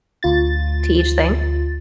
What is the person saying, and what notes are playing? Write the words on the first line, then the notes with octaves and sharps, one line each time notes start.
to each thing?
D2 F4 A6